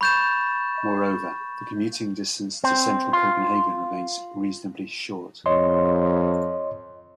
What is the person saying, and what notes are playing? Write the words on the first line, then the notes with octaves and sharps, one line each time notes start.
Moreover, the commuting distance to central Copenhagen remains reasonably short.
B5 C#6 G6 A6 E7
C4
F4
F2 C#5 D#5 C6